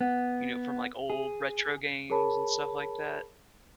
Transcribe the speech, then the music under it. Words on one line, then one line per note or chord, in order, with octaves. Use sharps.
you know, from, like, old retro games and stuff like that.
B3
G#4
G#4 A#4 C#5 A5 B5